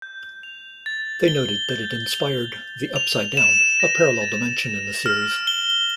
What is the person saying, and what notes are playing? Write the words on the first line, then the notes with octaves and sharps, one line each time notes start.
They noted that it inspired the Upside Down, a parallel dimension in the series.
G6
F7
A6
G7
G6
F7
G6
F7
E7
A#6
A6
E7
F6
G7